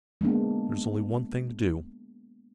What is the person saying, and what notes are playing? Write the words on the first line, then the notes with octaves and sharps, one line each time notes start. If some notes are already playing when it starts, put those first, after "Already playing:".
There is only one thing to do.
G#3 A#3 B3 D4